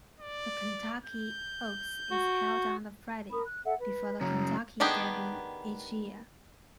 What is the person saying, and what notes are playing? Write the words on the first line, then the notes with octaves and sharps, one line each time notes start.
The Kentucky Oaks is held on the Friday before the Kentucky Derby each year.
D5
G6
F#4
A#4 B5 D#6
F#6
A4 E5 F#5
B4
C#3 F#3 C#4 A#5
D#3 B3 D4 G4 G#4